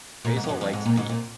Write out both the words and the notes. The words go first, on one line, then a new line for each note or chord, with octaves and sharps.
Basil likes Bee.
A#2
G#2
F2
F#2
F2
G#2
A#2
G#2
A#2